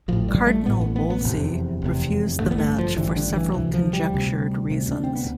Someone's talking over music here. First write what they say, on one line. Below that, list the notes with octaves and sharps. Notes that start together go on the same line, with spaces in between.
Cardinal Wolsey refused the match for several conjectured reasons.
A1 A2 F3
G3
A3
A1 A2 B3
B3
B3
B3
F1 E2 C3
F1 E2 C3
A1 G2 D3 A3
B3
A3
F3
A1 G2 D3 E3
D3
E3
D2 C3 E3
F3
G3
D2 C3
D2 C3
D4
C4
B3